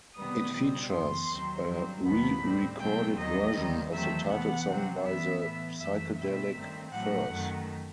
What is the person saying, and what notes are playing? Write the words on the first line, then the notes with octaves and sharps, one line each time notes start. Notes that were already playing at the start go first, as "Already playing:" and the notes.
It features a re-recorded version of the title song by The Psychedelic Furs.
C3 D#3 G3 B3 D#6
B2 G3 C4
F#2 E3 B3 C6
D#2 D#3 F#3 C4
G2 F#3 C4
D#2 D#3 F#3 B3 B5
A2 G3 C4
B2 F#3 A3 C4 G5
D#2 D#3 F#3 D#5
D#2 D#3 G3 C4
E2 D#3 F#3 A3 C4 E5
C3 E3 B3 F#5
C3 F#3 C4
G2 E3 B3 E5
A2 E3 B3
F#2 E3 A3 E5
B2 A3 C4 E5
G2 D#3 A3 C4
A2 F#3 A3 F#5
F#2 D#3 A3